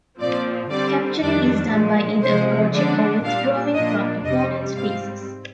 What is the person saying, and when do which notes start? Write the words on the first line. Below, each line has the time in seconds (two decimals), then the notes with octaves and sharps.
Capturing is done by either approaching or withdrawing from opponent's pieces.
0.19 A#2 F3 C4 D5
0.71 D3 G3 C4 D5
1.21 F2 D#3 G3 D4 D5
1.72 A#2 F3 G#3
2.22 C3 F3 G#3 C5
2.73 D3 G#3 D4 D5
3.24 A#2 G3 D4 F5
3.74 A#2 F3 A#3 D4 D#5
4.25 F2 C3 G3 D#5
4.76 G#2 G3 C4 F5